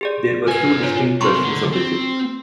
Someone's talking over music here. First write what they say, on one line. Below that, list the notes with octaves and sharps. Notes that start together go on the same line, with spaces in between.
There were two distinct versions of the chip.
G4 G#4 D5
A#4 B4 G#5 G#6
F4 C#5
C3 G3 A#5 C6 C#6
D3
C4